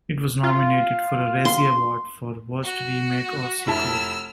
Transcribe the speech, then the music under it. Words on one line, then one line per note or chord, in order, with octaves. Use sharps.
It was nominated for a Razzie Award for Worst Remake or Sequel.
F4
C6
F#4
F1 E4 A5 E6 F6